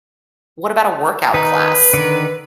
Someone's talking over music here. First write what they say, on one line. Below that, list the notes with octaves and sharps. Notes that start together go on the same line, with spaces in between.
what about a workout class?
D#3 D#4 B4
D3 D#3